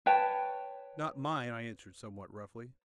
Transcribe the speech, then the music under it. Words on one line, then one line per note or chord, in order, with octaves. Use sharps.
"Not mine," I answered somewhat roughly.
B4 C#5 G5 A5